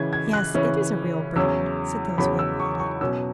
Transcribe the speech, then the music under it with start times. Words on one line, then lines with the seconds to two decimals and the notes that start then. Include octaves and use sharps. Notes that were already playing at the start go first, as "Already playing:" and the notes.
'Yes, it is a real bird,' said those who had brought it.
Already playing: C#3 E3 C#4 G#6
0.13 G#6
0.33 F#6
0.54 C#3 E3 C#4
1.36 E2 C#3 F#3 C#4 E6
2.18 E2 C#3 F#3 C#4 B5
2.39 E6
2.60 C#6
2.80 C#6
3.01 B2 F#3 C#4 E6